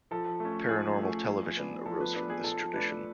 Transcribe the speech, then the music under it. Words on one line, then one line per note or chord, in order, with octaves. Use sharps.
Paranormal television arose from this tradition.
F3 A4
A3 C#4
F3 G#4
A3 C#4
F3
B3 D4
F3 A4
B4
B3 D4 B4
G#4
F3 A4
A3 D4 B4